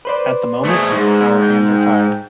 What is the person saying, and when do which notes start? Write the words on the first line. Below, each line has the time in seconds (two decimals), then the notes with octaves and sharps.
At the moment, our hands are tied.
0.05 B4 C5 D5
0.65 A3 G#4
0.92 G#2
1.42 G5